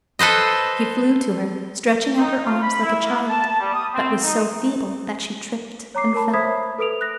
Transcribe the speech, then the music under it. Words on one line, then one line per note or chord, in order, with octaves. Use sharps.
She flew to her, stretching out her arms like a child, but was so feeble that she tripped and fell.
A4 B4 C5 D#5
D#4
F4
B5
E4
A#3
A5
G3
D#6
C4
D#4
C#5 A#5 D6 C7
A#4 C#5 A5 B5
C5 E5 B5 D#6 G#6 B6
A4 B4 D#6 D7 F7
F#6 A#6